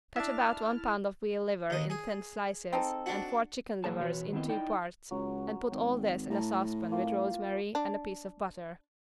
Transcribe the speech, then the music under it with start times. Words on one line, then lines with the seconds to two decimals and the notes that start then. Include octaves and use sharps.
Cut about one pound of veal liver in thin slices and four chicken livers in two parts and put all this in a saucepan with rosemary and a piece of butter.
0.16 D4 E4 E5 A5 F6
1.70 D#2 D#5
1.90 G#4
2.73 C4 D#4 A4
3.06 D4 F#4
3.84 A#2 F#3 A#3 G#4 C#5 A5
3.99 B2 E3 F4 F#4 B4 C#5
4.32 D#3 B3 C4 E4 D#5
4.49 D#4 E4 D5 D#5 G5
5.11 C#2 F#3
5.72 G#1 G5
6.30 A2 A5 A#5
6.92 A#3 C4 F4
7.75 D4